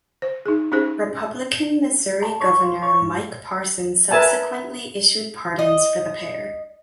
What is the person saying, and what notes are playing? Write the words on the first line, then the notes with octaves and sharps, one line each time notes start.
Republican Missouri Governor Mike Parson subsequently issued pardons for the pair.
C5
D#4 G#4
C#4 D#4 G4 G#4 C5
A5
C#5
F4
C#5
G#2
A#4 B4 E5 G#5 A5
D#5